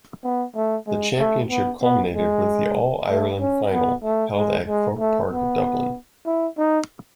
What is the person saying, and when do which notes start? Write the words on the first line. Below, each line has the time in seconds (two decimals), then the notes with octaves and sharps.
The championship culminated with the All-Ireland final, held at Croke Park, Dublin.
0.24 B3
0.55 A3
0.87 G#3
1.18 A3
1.51 B3
1.82 B3
2.14 G#3
3.08 A3
3.40 C#4
3.72 B3
4.03 A3
4.35 G#3
4.67 G#3
4.99 A3
5.30 B3
6.26 E4
6.57 D#4